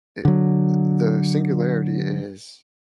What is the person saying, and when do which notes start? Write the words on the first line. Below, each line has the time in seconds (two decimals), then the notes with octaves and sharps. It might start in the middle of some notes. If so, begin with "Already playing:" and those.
it th the singularity is"
0.25 D3 F#3